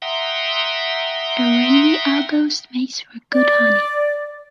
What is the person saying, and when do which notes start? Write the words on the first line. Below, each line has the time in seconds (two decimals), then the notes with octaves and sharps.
A rainy August makes for good honey.
0.02 E5 F#5 G5 A#5 C6 D#6
3.34 D5